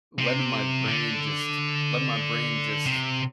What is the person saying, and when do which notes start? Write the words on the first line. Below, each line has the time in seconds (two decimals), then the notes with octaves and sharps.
Letting my brain just letting my brain just
0.19 C3
0.86 D3
2.86 C3